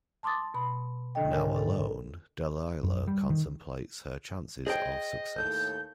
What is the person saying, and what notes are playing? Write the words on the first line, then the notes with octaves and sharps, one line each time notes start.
Now alone, Dalila contemplates her chances of success.
A5 C6 D6 D#6 A6
B2 B5
D3 D4 A4 D#5 G5
G#2 A#4 C#5 G#5
A4
F#2
G3
D#3
G#4 C5 D#5 G5
D#2 A2 A4 G6